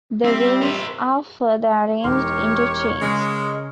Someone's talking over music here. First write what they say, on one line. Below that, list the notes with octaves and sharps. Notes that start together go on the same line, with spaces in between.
The rings are further arranged into chains.
G3 C4 E5
A#4 C5
E1 D#4 G4 A#4 C#5 C6
C#3 G#3 A#4 D#5